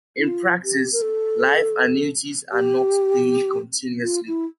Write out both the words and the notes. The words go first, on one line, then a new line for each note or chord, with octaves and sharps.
In practice life annuities are not paid continuously.
E4
F4
G4
A#4
A4
G4
F4
E4